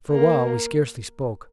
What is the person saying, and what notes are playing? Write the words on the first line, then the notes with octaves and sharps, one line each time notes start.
For a while we scarcely spoke.
A#3